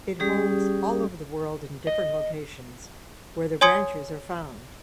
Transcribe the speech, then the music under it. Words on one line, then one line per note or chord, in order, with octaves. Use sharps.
It holds all over the world in different locations where the branches are found.
G3 C#4 G4 G#4 D5 D#6
D#5
C#5 G#5 C6 D#6 G#6 C#7